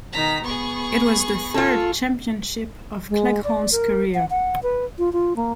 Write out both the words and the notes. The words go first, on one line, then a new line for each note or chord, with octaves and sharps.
It was the third championship of Cleghorn's career.
B2 D#3 A#5 B6
B3 G#4 C#6
F4 A4
G#3
D5
A#4
F#5
F#5
B4
F4
F4
A#3